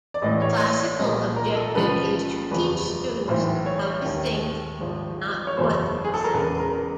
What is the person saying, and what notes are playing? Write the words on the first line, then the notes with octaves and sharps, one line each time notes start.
The Classical objective is to teach students how to think, not what to think.
D5
A1 A2 E3 D#5
C#5
D5
C2 A#2 F3 D#5
A#4
A4
C#2 C#3 F3 B4
F#1 E2 C3 F3 B4
B1 A2 E3 C5
C#5
D#2 D#3
G#1 G#2 F3
C#5
F#1 E2 B2 C5
G#4
A4
A#4
E1 E2 C#3 B4
A#4